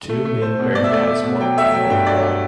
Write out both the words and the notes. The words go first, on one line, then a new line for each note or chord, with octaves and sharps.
Two men wearing hats walk by an old wall.
A3
A3
A3 C5
B2
B2 D5
E5
A3 D5
A3 E5
B2
F#3 G5
A3 E5
F#3 G5
G2 G5
F#3 D5